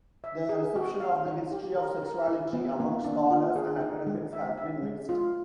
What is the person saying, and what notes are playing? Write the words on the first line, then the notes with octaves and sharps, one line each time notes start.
The reception of "The History of Sexuality" among scholars and academics has been mixed.
E5
G#4
F#4
F5
D#4
G4
A#4
A#4
E4
B3
A#3
D4
F4
G#4
D#4
G#3
E5
E5
G#3
F4